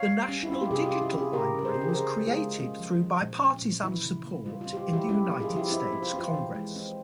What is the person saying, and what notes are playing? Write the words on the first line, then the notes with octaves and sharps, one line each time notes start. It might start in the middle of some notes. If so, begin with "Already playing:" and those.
The National Digital Library was created through bipartisan support in the United States Congress.
Already playing: C#5 F5
G3
C#4
E4
C#4 F4
G4
C3 F4 G#4
G4
F4
C#4
E4 G4
C#4
F4 G#4
C#3 G4 A#4
C#4 A#4
G#4 C5
C#3 G4
G#4
A#4
C4 G#4 C5
G#3
F4 G#4
G#3
C#4 F4
F3
F3
A#2
C#4
A#2
E3 E4
C#3
A#3
G3 F4
F4
C4
G4
F4
G3 E4 G4
C#4 E4 G4
A#3
F4 G#4
F3
E4 G4
C4 E4
C4
F4
C4
F4
E3
G#3
C4